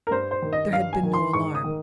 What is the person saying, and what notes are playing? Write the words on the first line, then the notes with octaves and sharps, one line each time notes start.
There had been no alarm.
A#4
G2 C5
C5
D#3
D#5
G2 F5
G#5
D#3
C6
G#2 C#6
D#6
D#3